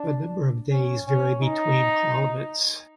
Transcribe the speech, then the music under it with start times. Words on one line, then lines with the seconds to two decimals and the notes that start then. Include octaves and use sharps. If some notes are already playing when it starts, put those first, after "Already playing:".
The number of days varies between parliaments.
Already playing: D4
0.71 C#4
1.08 C#4
1.43 D#4